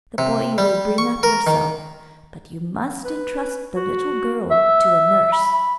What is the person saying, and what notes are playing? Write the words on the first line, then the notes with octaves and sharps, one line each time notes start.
The boy you will bring up yourself, but you must entrust the little girl to a nurse.
C3
G3
C#6
A#4
D#3
B4
F#4
E5
B5